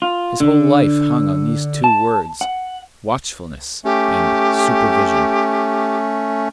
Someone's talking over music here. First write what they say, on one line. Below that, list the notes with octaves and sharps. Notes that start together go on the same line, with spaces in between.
His whole life hung on these two words: watchfulness and supervision.
F4
D3
A5
F#5
A3 C#4 G4